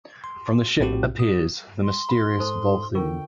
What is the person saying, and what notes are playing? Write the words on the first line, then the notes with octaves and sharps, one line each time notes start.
From the ship, appears the mysterious Volthoom.
C6
A#1 A2 C4 F#4 G4
D#6
C6
B5
G#2 D#4 A4 C5 D#6
D3 F4 A#4 G5 C#6